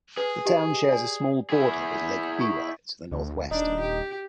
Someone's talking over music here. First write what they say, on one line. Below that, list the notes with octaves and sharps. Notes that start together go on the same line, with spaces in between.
The town shares a small border with Lake Biwa to the northwest.
G#4 B4
G4 D#5 G#5
D5 G#5
E4 G#4
C#6
D2
D#1 D4 D#4
G4